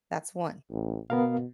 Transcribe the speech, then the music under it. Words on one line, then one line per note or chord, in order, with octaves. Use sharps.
that's one.
A1
B2 B3 A#4 F5